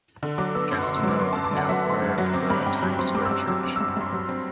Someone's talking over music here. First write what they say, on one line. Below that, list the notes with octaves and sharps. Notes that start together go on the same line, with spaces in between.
Gastineau is now a choir member at Times Square Church.
D3
F#3 D6
B3 E6
F#2
D3 C6
E6
F#3 D6
B3 C6
F#2 A5
D6
D3 F#5
F#3 E5
B3
F#2
F#3
C4 D6
G2 B5
G2 G5
F#3 B5
C4 C6
G2 D6
E6
G2 D6
F#3 E6
C4 D6
G2 E6
D6
G2 C6
F#3
C4